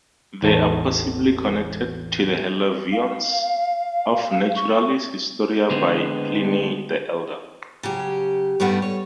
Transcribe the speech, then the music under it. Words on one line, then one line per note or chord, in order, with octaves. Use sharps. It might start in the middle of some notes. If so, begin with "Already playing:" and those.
They are possibly connected to the Hilleviones of Naturalis Historia by Pliny the Elder.
A1 E2 D#4 A4 E5 A5
F5
C#6
D3 G#3 B3 C4
C#3 F#3 G4
G2 G3 A3 B3 D#4 F#5
C#5